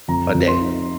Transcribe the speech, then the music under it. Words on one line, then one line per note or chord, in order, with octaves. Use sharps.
a day."
F2 A#5
F2
C6
D#4